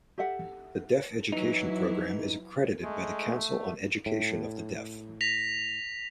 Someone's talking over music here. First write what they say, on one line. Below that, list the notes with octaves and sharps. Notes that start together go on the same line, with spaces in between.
The Deaf Education program is accredited by the Council on Education of the Deaf.
G4 A4 E5 F#5
E3 F#3 D#4 E4
G#3 A3
A2
A#6 B6 F7